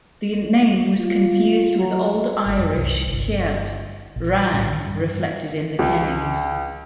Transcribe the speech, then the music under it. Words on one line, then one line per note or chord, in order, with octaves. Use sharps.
The name was confused with Old Irish "ceirt" 'rag', reflected in the kennings.
F4
F#3
G#1
F#2
C2
G1
A#1
A2
D#3
G2
C#2